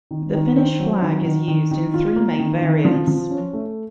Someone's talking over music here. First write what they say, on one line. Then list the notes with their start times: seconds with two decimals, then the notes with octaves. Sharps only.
The Finnish flag is used in three main variants.
0.11 D#3
0.34 D#3
0.57 C4
0.80 F#3
1.02 D#3
1.25 D#3
1.48 D#3
1.71 D#3
1.94 F4
2.16 A#3
2.39 D#3
2.62 D#3
2.85 F3
3.08 F3
3.31 C#4
3.53 A3